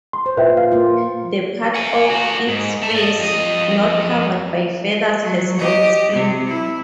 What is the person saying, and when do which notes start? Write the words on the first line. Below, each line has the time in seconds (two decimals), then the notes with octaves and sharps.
The part of its face not covered by feathers has red skin.
0.13 C6
0.26 C5
0.37 A#2 B4 E5 G5
0.57 F5
0.72 A#3 F4
1.74 F#5 G#5
2.10 A3 F#4
2.48 G#2
2.82 A3 A5
2.95 D5 D#5
3.19 F2 D#5
5.22 F#3
5.59 G4 D#5
6.12 C3
6.47 E4